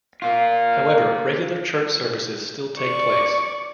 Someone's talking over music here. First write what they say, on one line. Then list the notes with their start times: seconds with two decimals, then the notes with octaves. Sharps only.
However, regular church services still take place.
0.22 A#3 F4
2.78 D5 C#6